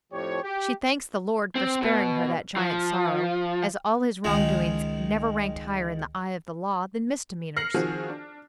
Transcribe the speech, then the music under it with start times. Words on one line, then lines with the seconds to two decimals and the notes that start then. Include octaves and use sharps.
She thanks the Lord for sparing her that giant sorrow, as all his wrong doings never ranked higher, in the eye of the law, than misdemeanors.
0.13 F2 A2 F3 G4 C5 C#5
0.43 G4
1.55 C4
1.82 B2
2.57 F3
4.24 C#2 D#3 G#3
7.57 F6 A#6 C7 C#7 F#7
7.74 D#3 F3 C4 F#4 G#4
8.10 D4